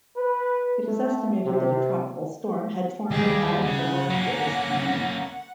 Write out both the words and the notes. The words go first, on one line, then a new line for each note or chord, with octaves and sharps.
It is estimated that a tropical storm had formed at around this time.
B4
A3
C3
D#2 D#3 G3 G#4
C#3 F#5
A#3 C#4